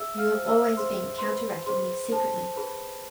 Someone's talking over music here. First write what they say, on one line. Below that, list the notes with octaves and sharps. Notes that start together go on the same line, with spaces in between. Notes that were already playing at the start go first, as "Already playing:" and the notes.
You have always been counteracting me secretly.
Already playing: G#4 E5 E6
F5 F6
C5
E5 E6
G#4 C5 C6
C6
B4 C5 B5
G#4 C5 C6
A4 C5 A5
G#4 B4 B5